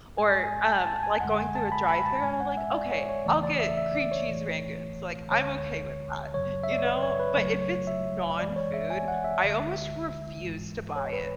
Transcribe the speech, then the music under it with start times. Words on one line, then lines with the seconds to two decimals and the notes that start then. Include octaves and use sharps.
or, um, like, going through a drive-through I'll be like, "Okay, I'll get cream cheese rangoons," like, "I'm okay with that," you know? But, if it's non-food, I almost refuse to buy it.
0.18 G#2 G#3 G#5
0.44 G#5
0.69 A5
0.87 A5
1.03 G#5
1.20 F#2 D3 G#3 F#5
1.38 G#5
1.55 A5
1.72 B5
1.89 B5
2.06 A5
2.23 A2 G#3 G#5
2.40 F#5
2.57 E5
2.75 D5
2.92 C#5
3.09 C#5
3.26 E2 C#3 E3 A3 D5
3.43 D5
3.60 E5
3.77 E5
3.95 D5
4.11 C#5
4.29 A2 E3 A3
5.31 D2 D3 G#3 C#5
6.34 F#2 C#3 F#3 C#5
6.64 E5
6.71 D5
6.78 C#5
6.85 B4
7.03 C#5
7.20 B4
7.36 C#2 C#3 F#3 A3 C#5
7.62 C#5
7.87 E5
8.39 F#2 E3 G#3 D5
8.56 C#5
8.74 E5
8.90 G#5
9.08 F#5
9.24 E5
9.42 D2 D3 G#3
10.44 G#2 E3 G#3
10.96 C#5
11.13 B4